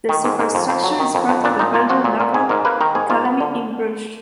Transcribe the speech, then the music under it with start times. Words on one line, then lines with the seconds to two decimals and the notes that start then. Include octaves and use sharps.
The superstructure is part of the Belgian Naval Academy in Brugge.
0.09 D#3
0.24 G#2
0.39 G#2
0.55 F2
0.69 F2
0.84 F#3
0.99 D#3
1.15 F2
1.29 F2
1.44 A#2 D4
1.59 A#2 D#4
1.74 A#3 F4
1.90 F3 F#4
2.04 A#2
2.20 A#2
2.34 G#2 G#4
2.49 G#2 A#4
2.65 A#3 B4
2.81 D#3 A#4
2.95 G#2 G#4
3.10 G#2 F4
3.25 B3
3.40 D3